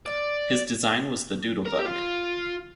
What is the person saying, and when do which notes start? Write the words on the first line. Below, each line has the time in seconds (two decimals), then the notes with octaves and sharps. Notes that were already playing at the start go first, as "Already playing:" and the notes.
His design was the Doodle Bug.
0.06 D5
1.65 A#4
1.78 G4
1.85 F4